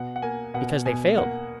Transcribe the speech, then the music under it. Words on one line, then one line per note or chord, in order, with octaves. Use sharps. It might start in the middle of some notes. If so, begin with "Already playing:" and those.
"Because they failed."
Already playing: B2 F#5
F#5
A#3 G#5
B2 F#5
B2 G#5
A#3 F#5